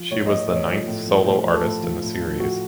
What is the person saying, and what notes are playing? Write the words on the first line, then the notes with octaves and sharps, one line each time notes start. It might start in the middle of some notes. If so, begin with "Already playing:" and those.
She was the ninth solo artist in the series.
Already playing: F3
A2 C#5
F3 D#5
C#5
A2 D#5
C#5
F3
A2
F3
A2 C5
F3
A4
A2
F3
A2
F3
A2 F#4